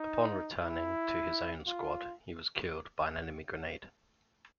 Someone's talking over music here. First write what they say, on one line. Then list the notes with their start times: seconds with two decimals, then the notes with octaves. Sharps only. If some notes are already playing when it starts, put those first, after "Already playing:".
Upon returning to his own squad, he was killed by an enemy grenade.
Already playing: D#4
0.64 E4
1.67 F4